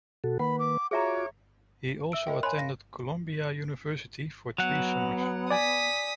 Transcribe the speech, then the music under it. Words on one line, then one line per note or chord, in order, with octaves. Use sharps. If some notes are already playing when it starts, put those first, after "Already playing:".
He also attended Columbia University for three summers.
B2 F#4 A4
D#3 A#3 B4 F#5 B5
D6
F4 F#4 G#4 C#5 E5 A#5 D6
E5 E6 D7
A#4 D#5 G5
C#5 G#5 B5 C6 F#6
F5 A#6
F#3 B3 F#5
D5 G#5 D#6 B6